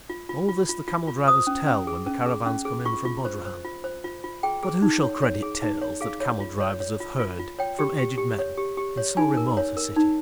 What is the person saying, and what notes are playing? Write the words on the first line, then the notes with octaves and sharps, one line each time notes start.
All this the camel drivers tell when the caravans come in from Bodrahan; but who shall credit tales that camel drivers have heard from aged men in so remote a city?
F4
F4
F4
F4
F4
F4
C5 D#6
C#4
C#4
G#4
C#4
G#4
C#4
G#4
F4 C#6
F4
C5
C5
F4
C5
F4
F4
G#4 G5
G#4
D#4
C#5
C#5
G#4
D#4
C#5
G#4 F5
C#5
F4
C#5
C#5
F4
F4
F4
C#5 G5
G4
G4
G4
C#5
G4
G4
C#5
D#4 G#5
A#4
C#5
A#4
D#4